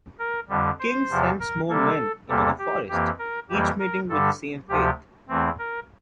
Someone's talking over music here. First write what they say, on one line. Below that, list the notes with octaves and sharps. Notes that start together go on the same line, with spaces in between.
The King sends more men into the forest, each meeting with the same fate.
A#4
F2 D3 G3
C5
E2 C3 F3
A#4
C3 G3 A#3 A4
E2 C3 G3 A#3 A4
G4
F2 E3 A#3 G4
A#4
F2 E3 G3 A#3 G4
A#4
G2 D3 G3 A4
D2 C3 F3 G4
E2 E3 A3 C4
A#4